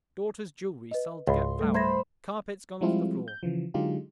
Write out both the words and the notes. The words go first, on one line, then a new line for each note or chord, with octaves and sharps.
Daughter's jewelry sold to get flour. Carpets gone off the floor.
B4 D#5
C#2 G#2 B5 C6
G3 A3 A4
C5 E5 B5 G#6 A#6
F3 G3 G#3 C4 E4 F4
G6
C#3 E3 F3
D3 F#3 G#3 D#4 F4 G4